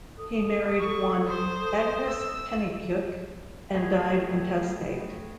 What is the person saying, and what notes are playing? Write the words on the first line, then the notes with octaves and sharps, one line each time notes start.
He married one Agnes Pennycuick and died intestate.
A4 D#6
C#6
C5
E6
A3 B3 C4 G#4 C#5